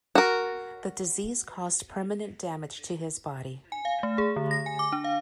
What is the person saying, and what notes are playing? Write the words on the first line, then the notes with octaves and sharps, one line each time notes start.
The disease caused permanent damage to his body.
F#4 A#4
G#5
F5
A3
G#4
D3
A#6
G#5
D6
D4
F5